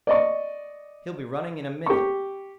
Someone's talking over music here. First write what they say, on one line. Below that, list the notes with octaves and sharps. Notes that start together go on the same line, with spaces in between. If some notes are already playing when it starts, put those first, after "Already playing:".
"He'll be running in a minute."
D5 D#5 C#6
G4 C#6